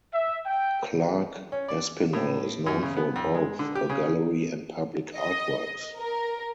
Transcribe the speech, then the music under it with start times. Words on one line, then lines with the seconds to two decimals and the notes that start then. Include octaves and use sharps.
Clark Espinal is known for both her gallery and public artworks.
0.12 E5
0.46 G5
1.52 C#4
1.68 D5
2.13 A2
2.66 F#2
2.83 C#3
2.97 B3
3.16 F2
3.34 G#3
3.59 D3
3.75 G4
3.90 C#3
5.16 D#5
5.96 A#4